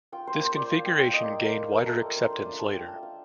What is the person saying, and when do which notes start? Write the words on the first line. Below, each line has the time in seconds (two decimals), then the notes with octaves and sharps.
This configuration gained wider acceptance later.
0.12 F4 G5
0.27 C5
0.34 A#3
0.41 C5
0.56 F4 D5
0.71 F5
0.78 F4
0.86 G5
0.99 A#3 G5
1.13 D#5
1.22 A#3 D5
1.43 A#3 A#4
1.65 A#3
1.72 A#4
1.86 A3 A4
2.02 A#4
2.08 F4
2.16 C5
2.30 D4 C5
2.45 D5
2.52 F4
2.59 A5
2.74 F4 G5
2.88 A5
2.95 A3
3.03 F5